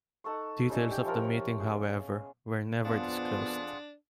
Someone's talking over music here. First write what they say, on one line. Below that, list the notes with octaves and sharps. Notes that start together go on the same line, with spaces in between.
Details of the meeting, however, were never disclosed.
D#4 A4 F#5 C#6
G3 C#4 D#4 E5
G4 G5
F3 E4 F4 A#4
C#5
B3 F4 G#4
F2 F3 B3 D4 F4 G#4 F#5